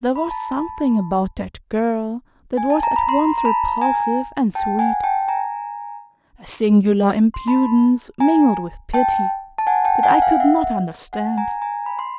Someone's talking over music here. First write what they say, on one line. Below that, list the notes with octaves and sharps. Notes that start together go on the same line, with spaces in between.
There was something about that girl that was at once repulsive and sweet, a singular impudence mingled with pity, that I could not understand.
B5
A#5
A5 B5
G#5
A5
A#5
B5
A#5 C6
A#5
A5 B5
G#5 A#5
G5 A5
F#5 G#5
G5 A5
G#5 A#5
C6
A5 B5
G#5 A#5
G5 A5
A5
F#5 G#5
G5 A5
F#5 G#5
F5 G5
E5 F#5
F#5 G#5
G#5 A#5
G#5 A#5
B5
C6